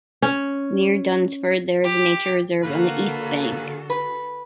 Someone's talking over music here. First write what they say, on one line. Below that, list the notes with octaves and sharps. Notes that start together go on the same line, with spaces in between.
Near Dunsford there is a nature reserve on the east bank.
C#4
G4
D3 A#3 F#4 A4 B4
B4